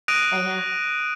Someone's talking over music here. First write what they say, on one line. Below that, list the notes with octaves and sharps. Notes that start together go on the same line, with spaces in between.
I know.
D#6 F#6 A#6 D7 D#7 F7